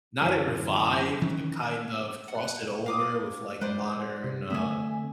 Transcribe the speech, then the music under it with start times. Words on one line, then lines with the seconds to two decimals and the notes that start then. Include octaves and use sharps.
not it revived, but kind of cross it over with, like, modern, uh,
0.22 F#2 D3 E3
1.22 D#3 E3 C#4
2.28 F#5
2.86 F5 D6 D#6
3.61 G#3 B4 C5 D5
4.24 C3
4.50 D3 A3 C4 E5 G#5